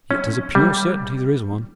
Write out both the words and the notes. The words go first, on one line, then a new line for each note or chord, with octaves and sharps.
Yet 'tis a pure certainty there is one.
C#4
G3